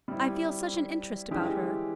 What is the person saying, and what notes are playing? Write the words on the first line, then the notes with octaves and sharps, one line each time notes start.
I feel such an interest about her.
G3 C4 E4
E3 G#3 C#4 E4 G4